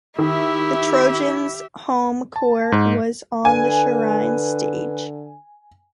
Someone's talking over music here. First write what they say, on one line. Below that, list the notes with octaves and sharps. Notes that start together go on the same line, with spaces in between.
The Trojans' home court was on the Shrine's stage.
D#3 E4 G4 E5
A5
G#2
D3 B4 G#5